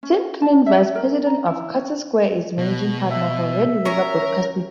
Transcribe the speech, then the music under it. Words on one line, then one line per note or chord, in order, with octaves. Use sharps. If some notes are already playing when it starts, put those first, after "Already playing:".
Tim Kunin, Vice President of Curtis Squire, is managing partner for Red River Broadcasting.
C#4
A5
E5
A#4
A#5
E4
C#4
B2
E5
C#4 A#4 C#5 A#5